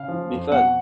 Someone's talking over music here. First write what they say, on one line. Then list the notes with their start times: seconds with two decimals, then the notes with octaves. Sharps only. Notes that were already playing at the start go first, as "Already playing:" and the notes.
Be fun.
Already playing: C#3 F5
0.08 F3
0.30 F2
0.51 B2 F#5